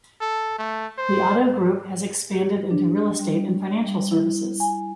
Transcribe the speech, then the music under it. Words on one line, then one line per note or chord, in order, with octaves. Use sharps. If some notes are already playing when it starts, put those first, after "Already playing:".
The Otto group has expanded into real estate and financial services.
A4
A3
C5
G4
D4
G3
G3
E4
G#5